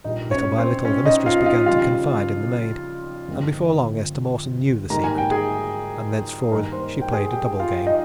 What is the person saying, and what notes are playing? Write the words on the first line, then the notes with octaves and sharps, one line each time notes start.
Little by little the mistress began to confide in the maid, and before long Esther Mawson knew the secret--and thenceforward she played a double game.
A#1 A#2 G3 D#4 D#5
C#4 C#5
C4 C5
C#4 C#5
D#4 D#5
F4 F5
D#5
F4 F5
F2 C#3 G3 F4 F5
G1 F2 D#3 G#3 C4
G#2 D#3 G3 A#3 A#5
G#5
G5
G#4 G#5
G2 D#3 A#3 D#4 A#4 A#5
C5 C6
G5
G#4 G#5
G4 G5
F4 F5
D#4 D#5